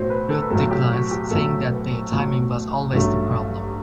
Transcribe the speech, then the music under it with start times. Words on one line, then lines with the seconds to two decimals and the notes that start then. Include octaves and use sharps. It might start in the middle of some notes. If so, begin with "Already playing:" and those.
Ruth declines, saying that their timing was always the problem.
Already playing: B1 A2 F#3 C5
0.10 B4
0.30 A4
0.42 B4
0.51 B1 A2 F#3 A4
0.71 G4
0.91 F#4
1.11 G4
1.31 B1 A2 F#3 A4
1.71 B4
2.12 B1 A2 F#3
2.92 A1 G2 F#3 A3